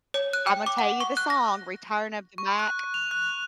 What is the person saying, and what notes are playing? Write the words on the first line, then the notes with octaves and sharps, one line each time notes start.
I'm a tell you the song, Return of the Mac.
C#5
F#6
G5
D6
F#5
C#6
F#6
A#6
C#6
F#6
F7
F#6